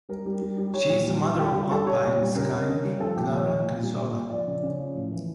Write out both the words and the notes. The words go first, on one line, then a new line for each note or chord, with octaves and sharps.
She is the mother of alpine skier Klára Křížová.
G3 A#4
G3
G3
G3
G3 C#5
A#2
G3
G3
F4
G3 G4
G3
G3 A4
G3 C#5
A#2 C#5
G3
C#3 A#4
C#3
C#3
G3
F3 A4
A#2 G4
F3 C#5
A#2
A#2
G3
A#2
A#2
F3 D5
C#3
C#3
F3
A2
E3